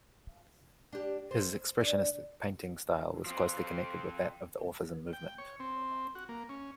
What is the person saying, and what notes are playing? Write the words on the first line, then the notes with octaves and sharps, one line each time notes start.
His expressionist painting style was closely connected with that of the Orphism movement.
D4 G4
C5
D4
F3 C4
G5
C#5
C4
F#4
A#3
C#4